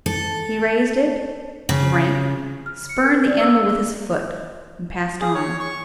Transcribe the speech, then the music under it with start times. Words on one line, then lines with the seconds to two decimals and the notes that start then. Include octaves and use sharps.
He raised it, drank, spurned the animal with his foot, and passed on.
0.06 A4
1.69 C#3
2.66 F6
2.89 C#7
3.04 A#4
3.27 D5
3.40 E6
3.63 G#4
5.21 G#4
5.35 C#5
5.60 C#6